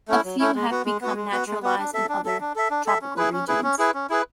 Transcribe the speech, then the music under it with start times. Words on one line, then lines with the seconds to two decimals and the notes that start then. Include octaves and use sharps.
A few have become naturalized in other tropical regions.
0.08 A3 C#4 E4
0.24 F#3
0.39 A3 C#4 E4
0.55 G#3
0.70 B3 F#4
0.85 G#3
1.01 B3 F#4
1.16 G#3
1.32 B3 F#4
1.47 G#3
1.63 B3 F#4
1.78 D4
1.94 A4 E5
2.09 D4
2.25 A4 E5
2.40 D4
2.56 A4 E5
2.70 D4
2.86 A4 E5
3.02 C#4
3.17 E4 G#4 B4
3.33 C#4
3.48 E4 G#4 B4
3.63 C#4
3.79 E4 G#4 B4
3.94 C#4
4.10 E4 G#4 B4